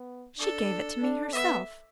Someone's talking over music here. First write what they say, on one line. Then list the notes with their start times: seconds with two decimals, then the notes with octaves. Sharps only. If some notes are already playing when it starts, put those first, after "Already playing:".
"She gave it to me herself."
Already playing: B3
0.38 D4 A4
1.02 D4
1.33 B3 E5